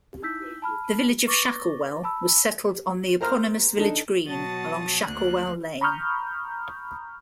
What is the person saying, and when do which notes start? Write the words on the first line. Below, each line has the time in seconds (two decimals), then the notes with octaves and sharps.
The village of Shacklewell was settled on the eponymous village green, along Shacklewell Lane.
0.22 D#4 E4 E6 G6 B6
0.62 A5 B5 F6
1.27 B4 C#6 D6 A6 A#6 G7
2.04 A5 B5 E6
3.21 A#4 C5 A#5 F6
3.77 D3 D4 D#4 A4
4.26 B2 F#3 F#4 A5 D#6 A6
5.05 D2 D3 A#3 F#6
5.81 A#5 B5 C#6 D#6 F6 G6